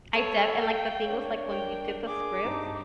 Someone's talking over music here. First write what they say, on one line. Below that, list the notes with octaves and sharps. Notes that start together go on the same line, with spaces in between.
I def and like, the thing was, like, when you did the scripts,
B3 A4 C#5
F5 G5
D4 A#4 C#5
G5
G#4 D6
G2 C3 D4 D#4